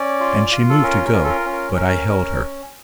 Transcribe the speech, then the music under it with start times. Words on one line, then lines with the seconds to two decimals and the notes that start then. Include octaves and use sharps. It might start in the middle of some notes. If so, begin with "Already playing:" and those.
And she moved to go, but I held her.
Already playing: C#4 D5
0.20 F4
0.51 F4
0.69 A4
0.83 C#4 A#4
1.07 A#4
1.13 F4
1.24 A4
1.29 A#4
1.45 C#4
1.53 A#4
1.76 C#4 A#4
2.08 C#4